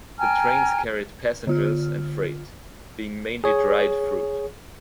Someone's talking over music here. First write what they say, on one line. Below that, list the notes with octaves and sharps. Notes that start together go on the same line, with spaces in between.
The trains carried passengers and freight, being mainly dried fruit.
G5 G#5 A#5 F6
D3 F4 F6
G#4 C#5